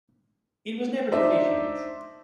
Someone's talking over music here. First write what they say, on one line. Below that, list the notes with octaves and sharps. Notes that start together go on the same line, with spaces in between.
It was never commissioned.
D4 D#4 C5 E5